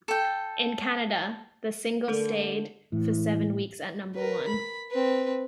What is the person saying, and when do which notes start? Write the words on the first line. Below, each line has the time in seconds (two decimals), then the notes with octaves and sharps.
In Canada, the single stayed for seven weeks at number one.
0.08 A4 G5
2.08 D3 A3 A4 A#4
2.92 A2 E3
4.15 A#4 B4
4.48 B5
4.92 C4 B4